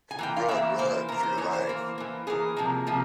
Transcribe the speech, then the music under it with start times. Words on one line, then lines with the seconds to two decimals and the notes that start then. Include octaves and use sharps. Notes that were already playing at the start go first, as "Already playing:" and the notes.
Run - run for your life!
0.11 G#5
0.19 E3 A#3 G5
0.37 F5
0.48 E3 A#3 E5
0.78 E3 A#3 C5
1.09 E3 A#3 A#4
1.23 C5
1.37 E3 A#3 C#5
1.53 C5
1.67 E3 A#3
1.98 E3 A#3
2.27 E3 A#3 G#4
2.57 C3 F3 A#3
2.87 C3 F3 A#3